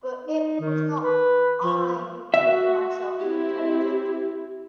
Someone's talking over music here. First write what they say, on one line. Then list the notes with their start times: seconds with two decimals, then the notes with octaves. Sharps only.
But it was not I who called myself intelligent.
0.25 D#4
0.60 D#3
1.02 B4
1.63 F3
2.34 F#4 E5
3.20 C4 E4 G4